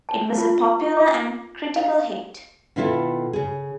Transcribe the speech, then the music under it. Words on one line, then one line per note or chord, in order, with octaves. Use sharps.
It was a popular and critical hit.
A5
F4
D6
F5
B2 D#3 E4 F4 G#4 A4
C#3 G#4